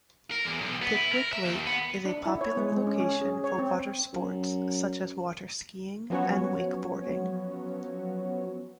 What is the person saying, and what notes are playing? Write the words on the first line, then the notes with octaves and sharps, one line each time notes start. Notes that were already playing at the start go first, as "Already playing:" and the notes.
Pickwick Lake is a popular location for water sports such as waterskiing and wakeboarding.
A#4
E2
B1
B3
E4
A#4
E5
D#2
B3
D4
E4
C#5
G#3
G#3
C#4
C#4
G#4
C#5
C4
F#2
F3 F#3 B3 C#4 F#4 C#5